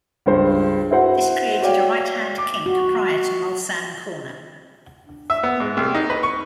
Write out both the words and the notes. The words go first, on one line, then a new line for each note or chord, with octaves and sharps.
This created a right hand kink prior to Mulsanne corner.
C#2 G2 C5
E4 F#4 C5 F#5
F#4 C#5 D5 F5 G5
D6
F#4
E5
B3
G#2
C2
D#4
B4
C#6